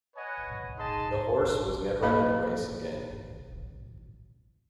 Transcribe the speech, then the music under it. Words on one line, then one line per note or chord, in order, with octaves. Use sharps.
The horse was never in a race again.
B4 C#5 D#5 F#5 G#5
D#4 G#4 D#5 A5 C6
A#3 B4 D#5 F5 B5